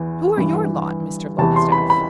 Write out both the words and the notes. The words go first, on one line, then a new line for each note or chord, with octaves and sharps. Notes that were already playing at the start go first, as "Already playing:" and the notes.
"Who are your lot, Mr. Longstaff?"
Already playing: E2 E3
G2 E3
E2 C3 E3 A5
C6
B5
B5